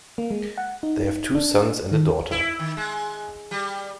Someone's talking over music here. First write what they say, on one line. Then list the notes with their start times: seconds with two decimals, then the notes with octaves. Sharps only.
They have two sons and a daughter.
0.18 A#3
0.31 G#3
0.58 F#5
0.83 D#4
1.35 D4
1.92 D#3
2.31 E4
2.59 D#3
2.77 G#3
3.51 G3